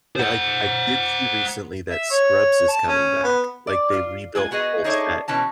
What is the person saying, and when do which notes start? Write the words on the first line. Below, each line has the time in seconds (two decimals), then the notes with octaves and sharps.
Yeah, I I did see recently that Scrubs is coming back, like, they rebuilt the whole set
0.16 C5 F#5
1.90 E5
2.10 C#5
2.68 A5
2.87 C#4
3.23 B3
3.67 D5
3.93 F4
4.35 G#3 F4 G#5
4.51 B3 F#4 G#4 D#5
4.84 D#4 G#4 A4 C#5 D5 E5
5.28 B2 E3 C#4 A5